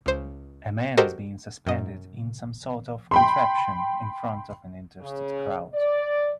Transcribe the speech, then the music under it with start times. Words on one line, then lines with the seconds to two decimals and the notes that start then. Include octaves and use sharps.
A man is being suspended in some sort of contraption in front of an interested crowd.
0.06 C#2 C5
0.97 F#4 G4 A4 A#4 C5 D#5
1.67 F#2 D#5
3.11 G5 B5 C6
5.00 C#3
5.73 D5